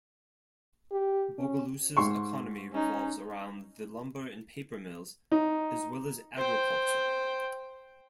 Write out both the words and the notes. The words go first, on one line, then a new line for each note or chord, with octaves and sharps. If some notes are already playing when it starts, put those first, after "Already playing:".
Bogalusa's economy revolves around the lumber and paper mills, as well as agriculture.
G4
C#4
G#2 C6 C#6
C#4 D#4
D#4
C5 G5